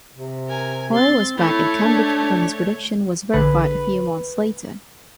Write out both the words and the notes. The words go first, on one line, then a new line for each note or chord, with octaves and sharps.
Hoyle was back in Cambridge when his prediction was verified a few months later.
C3
A#4 G#5
C4 C6 A6
A3 E4 C#5
D4
A#1 D3 G#4 B4